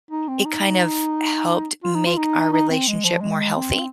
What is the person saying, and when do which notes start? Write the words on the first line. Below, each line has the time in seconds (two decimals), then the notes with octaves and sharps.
it kind of helped make our relationship more healthy.
0.11 D#4
0.28 C4
0.45 D#4
1.83 F4
1.95 D#4
2.06 F4
2.17 D#4
2.52 D#4
2.70 C4
2.88 G#3
3.04 F3
3.21 G#3
3.56 C4